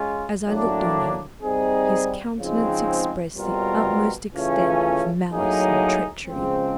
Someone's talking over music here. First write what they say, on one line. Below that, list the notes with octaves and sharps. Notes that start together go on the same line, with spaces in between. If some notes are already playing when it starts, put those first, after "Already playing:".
As I looked on him, his countenance expressed the utmost extent of malice and treachery.
Already playing: G#3 C#4 F4
A2 F#3 A#3 D4
G3 C4 D#4 G#4
C#3 F3 G#3 C4 D#4
B2 G3 C4 F4 A#4
C#3 E3 A3 C#4 F4
A2 F#3 A#3 D#4 G#4
C#3 F3 G#3 C4